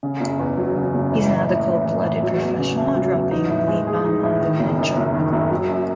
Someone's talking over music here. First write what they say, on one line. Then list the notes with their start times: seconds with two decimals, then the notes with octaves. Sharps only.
He's now the cold-blooded professional dropping napalm on women and children.
0.03 C#3
0.20 F#1
0.39 E2
0.57 F#3
0.76 C#3
0.94 F#1
1.12 E3
1.30 A1
1.49 A2
1.67 A1
1.85 E3
2.04 A1
2.23 F#3
2.40 E2
2.58 C#3
2.77 A3
2.95 F#3
3.13 E2
3.31 D#4
3.50 A2
3.68 G#3
3.87 G#4
4.05 D#4
4.23 A2
4.41 D#3
4.60 F#1
4.78 F#2
4.96 F#1
5.14 D#3
5.32 F#1
5.51 F#3
5.69 F#2